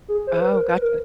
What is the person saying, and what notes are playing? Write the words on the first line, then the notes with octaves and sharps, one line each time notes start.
Oh, gotcha.
G#4
C5
B4
A#4
B4
A#4